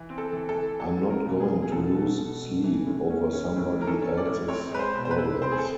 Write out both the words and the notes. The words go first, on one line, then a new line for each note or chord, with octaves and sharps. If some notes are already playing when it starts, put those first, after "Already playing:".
I'm not going to lose sleep over somebody else's problems.
Already playing: E3
C4
A4
E3
A4
E3
F#3 A4
A#3
A#4
B2
G#4
A#3
G#4
B2 A4
B2
B2
B2
E3
A2
C#4
C#4
A2
E3 A#4
A4
C#4
D5
A2
C4 C#5
G#3 B4
C5
B2
C5
B4
E4
C4 C5
G#4
A4